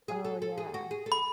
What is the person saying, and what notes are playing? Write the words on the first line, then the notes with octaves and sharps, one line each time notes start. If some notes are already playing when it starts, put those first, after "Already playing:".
Oh, yeah.
G#4
A4
A4
G#4
F#4
G#4
A4
B5